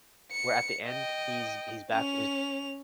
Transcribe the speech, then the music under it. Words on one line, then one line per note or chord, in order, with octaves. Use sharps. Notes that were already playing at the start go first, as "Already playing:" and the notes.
where at the end, he's he's back with his
C#7
D#5 G5
C#4 F7